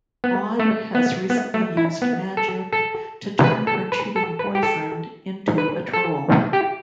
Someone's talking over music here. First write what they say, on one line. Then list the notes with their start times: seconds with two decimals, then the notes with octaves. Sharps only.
Aud has recently used magic to turn her cheating boyfriend into a troll.
0.24 B3
0.59 A3
0.95 B3
1.30 B3
1.54 A3
1.77 E4
2.02 B3
2.37 A4
2.73 A4
3.44 B4
3.67 A4
3.92 B4
4.16 A4
4.39 B4
4.55 G4
4.63 A4
5.58 B4
5.93 A4
6.53 G4